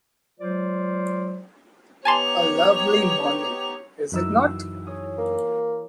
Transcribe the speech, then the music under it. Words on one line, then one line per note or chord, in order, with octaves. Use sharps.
A lovely morning, is it not?
F#3 G#3 F4 C5 D5
B3 D#4 G4 C#5 G#5 A5 C6 F7
F#2 E3 D#4 E4 F#4 E6
G#4 C#5 D#6
A#3